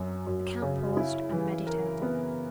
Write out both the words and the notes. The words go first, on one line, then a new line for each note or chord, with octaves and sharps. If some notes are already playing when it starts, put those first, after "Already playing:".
The count paused and meditated.
Already playing: F#2 F#3
F#2
C#3
E4
E3
A#4
B3